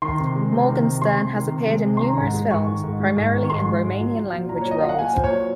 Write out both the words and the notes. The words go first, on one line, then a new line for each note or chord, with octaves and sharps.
Morgenstern has appeared in numerous films, primarily in Romanian language roles.
D#3 C6
C3
G#3
C3
D#3
C3
G#3 C6
C3
D#3
C3
G#3
C3
C6
D#3 A#5
G#2
G#3
G#2 C#6
D#3
G#2
G#3
G#2
D#3
C#6
G#2 C6
G#3
G#2
F#3
F#3
A#2
A#2 A#5
C#5
F#3
D#5
F#3 F5
F#5
A#2 G#5
A#2 C5
C#5
F#3